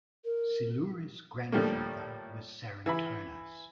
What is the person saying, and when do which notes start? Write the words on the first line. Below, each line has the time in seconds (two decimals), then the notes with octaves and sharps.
Xilouris' grandfather was Psarantonis.
0.25 A#4
1.52 A2 D3 F3 G3 A3 A#3
2.86 E3 E5 B5